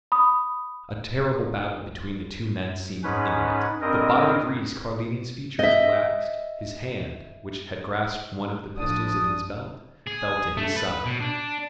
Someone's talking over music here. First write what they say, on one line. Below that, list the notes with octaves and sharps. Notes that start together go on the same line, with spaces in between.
A terrible battle between the two men seemed imminent; but by degrees Carlini's features relaxed, his hand, which had grasped one of the pistols in his belt, fell to his side.
B5 D#6
G#2 C#4 B4
G2 C4 A#4 D#5
D#5 E5
A1 F3 D4 D#6
G#4
A3
B4
B2
D4